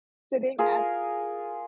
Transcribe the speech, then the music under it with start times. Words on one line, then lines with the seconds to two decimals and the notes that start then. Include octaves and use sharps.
sitting at
0.58 F4 G#4 A#4